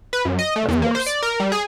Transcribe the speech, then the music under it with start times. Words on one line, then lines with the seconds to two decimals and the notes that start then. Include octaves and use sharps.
Of course.
0.13 B4
0.25 F#2
0.39 D#5
0.56 A3
0.68 E2
0.82 A#3
0.95 C5
1.06 D5
1.22 A#4
1.40 G3
1.52 G#4